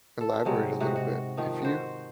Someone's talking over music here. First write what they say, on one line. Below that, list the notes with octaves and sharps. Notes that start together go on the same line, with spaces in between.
elaborate a little bit. If you
A4
C3 F#3 G#3
G#2 C3 F#4 D#5
F#4
D#3 F3 D#4
F#4 C5